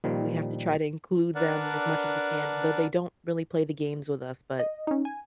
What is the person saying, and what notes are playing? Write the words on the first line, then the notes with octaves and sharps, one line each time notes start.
we have to try to include them as much as we can, though they don't really play the games with us, but,
A#2 D#3 F3 G3
D4 A#4 B4 D5 F#5 A5
D#5
C#4 D#4
G#5